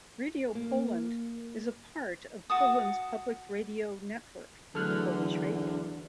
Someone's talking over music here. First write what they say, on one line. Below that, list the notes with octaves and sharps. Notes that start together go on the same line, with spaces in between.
Radio Poland is a part of Poland's public radio network - Polish Radio.
A#3
F#4 A5 D#6
E2 D3 F#3 A3 A4 F6 F#6